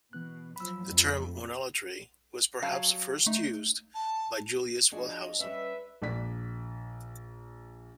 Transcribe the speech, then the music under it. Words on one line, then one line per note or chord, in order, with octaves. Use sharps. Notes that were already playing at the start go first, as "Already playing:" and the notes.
The term "monolatry" was perhaps first used by Julius Wellhausen.
B2 E3 B3 F#6
F3 F#3 B5 E6
F2 A3
F#3 F5 A5
A3 D#4
A5
F3 D4 F#4 G#4 D#5
G3 C#4 B4 E5
A#1 D5 B6